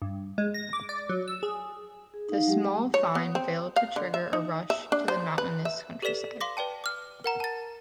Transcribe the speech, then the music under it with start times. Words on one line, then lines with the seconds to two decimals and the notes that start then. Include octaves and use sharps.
The small find failed to trigger a rush to the mountainous countryside.
0.02 G2
0.38 G#3
0.54 A#6
0.73 D6
0.89 D5
1.09 F#3
1.28 E6
1.43 G#4
2.14 G#4
2.29 D#4 F5
2.47 F#3 G#3 G4
2.94 C#5
3.15 B3
3.35 C4
3.76 F5
3.96 D3
4.14 E5
4.33 D#4
4.70 E5
4.92 D4
5.08 C5
5.38 B4
5.65 E5
6.02 G4 A4 B4 D5 B6 E7
6.41 F5 C6 D6 A#6
6.57 B4 D5 G5 A5
6.84 D6 F6
7.24 A#4 F#5 A#5
7.40 A5 A6